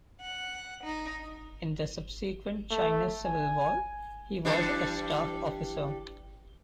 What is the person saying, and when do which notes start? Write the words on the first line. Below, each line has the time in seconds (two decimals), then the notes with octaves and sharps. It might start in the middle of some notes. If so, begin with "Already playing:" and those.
In the subsequent Chinese Civil War he was a staff officer.
0.22 F#5
0.85 D#4
2.71 A3
3.26 G#5
4.45 E3 G3 D4